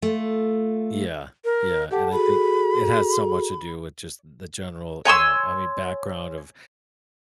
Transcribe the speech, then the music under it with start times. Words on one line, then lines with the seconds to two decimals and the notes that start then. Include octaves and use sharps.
Yeah, yeah, and I think it has so much to do with, just, the general, you know, I mean, background of
0.02 A3 F4
1.45 A#4
1.91 G4 A4 F#5 A5
2.12 F#4 G#4 A4 B5
5.05 C#5 G#5 C6 E6